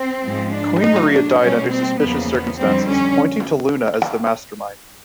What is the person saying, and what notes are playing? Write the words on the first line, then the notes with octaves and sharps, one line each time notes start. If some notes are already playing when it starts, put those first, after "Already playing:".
Queen Maria died under suspicious circumstances, pointing to Luna as the mastermind.
Already playing: C4
G#2 F3 G#3
D4
A2 F#3 A3 D#4
D4
B2 G3 A#3 C#4
C4
E2 C#3 F3 A#3 B3
B3
F2 D3 G3 C4
C#4